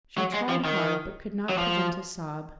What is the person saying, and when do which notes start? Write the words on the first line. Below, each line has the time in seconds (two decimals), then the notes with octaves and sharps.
She tried hard, but could not prevent a sob.
0.18 F#3
0.34 G#3
0.49 F3
0.65 D#3
1.49 F#3
1.58 F3